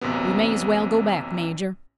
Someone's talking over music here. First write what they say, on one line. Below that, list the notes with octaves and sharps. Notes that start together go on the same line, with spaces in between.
We may as well go back, major.
A1 F#2 C3 B3